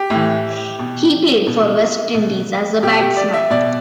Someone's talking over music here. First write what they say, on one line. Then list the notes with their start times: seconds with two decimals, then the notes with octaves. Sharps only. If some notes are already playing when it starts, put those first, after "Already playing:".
He played for West Indies as a batsman.
Already playing: G4
0.10 A2 E3
0.79 B2
1.47 B2
2.14 B2
2.82 B2 G4
3.00 G4
3.17 D5
3.34 E5
3.50 B2 D5